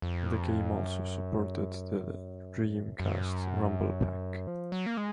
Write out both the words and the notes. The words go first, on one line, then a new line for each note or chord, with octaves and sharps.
The game also supported the Dreamcast rumble pack.
F2
F#2
F#2
F3
F#3
A#3
G#3